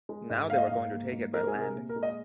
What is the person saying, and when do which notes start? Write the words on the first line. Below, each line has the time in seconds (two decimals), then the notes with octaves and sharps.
Now they were going to take it by land.
0.09 G#3
0.30 G#2
0.50 A#3 F5
0.58 D#5
0.67 G#2 F5
0.92 A#3
1.12 G#2
1.34 G#3 A#4
1.47 G#4
1.54 C3
1.61 A#4
1.74 A#2
1.89 A#4
1.96 G#3
2.03 D#5